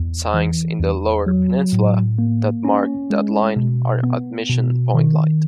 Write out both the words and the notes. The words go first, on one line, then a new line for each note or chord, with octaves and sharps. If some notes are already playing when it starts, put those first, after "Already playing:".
Signs in the Lower Peninsula that mark that line are at Mission Point Light.
Already playing: E2
E3
E2
F#3
A2
A#3
C#4
G#3
B2
B3
B2
D#3